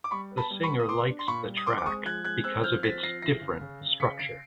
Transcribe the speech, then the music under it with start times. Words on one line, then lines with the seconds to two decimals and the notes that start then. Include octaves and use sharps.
The singer likes the track because of its "different" structure.
0.04 D6
0.11 G3 B5 C#6
0.31 B3
0.37 A5 B5
0.50 G3
0.63 B5 C#6
0.70 B3
0.80 D#6
0.89 B3 C6 D6
1.08 D4
1.19 C6
1.28 A#2 B5 C#6
1.47 G3
1.57 D#6
1.66 C4 C6 D6
1.78 D6
1.86 G#3 C#6 D#6
2.05 F3 F#6 G#6
2.25 G#3 F#6 G#6
2.44 C4 E6 F#6
2.64 F3 F6 G6
2.83 C4 A6 B6
3.03 F3 A#6 C7
3.22 E3 A#6 C7
3.41 C#3
3.61 C#3
3.81 C#3
4.00 C#3 B6 C#7
4.19 C#3 C7 D7